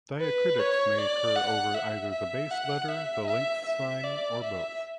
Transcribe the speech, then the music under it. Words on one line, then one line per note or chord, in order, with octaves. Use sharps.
Diacritics may occur over either the base letter, the length sign, or both.
B4
C#5
D5
F#5
E5
E5
F#5
E5
E5
E5
D5
E5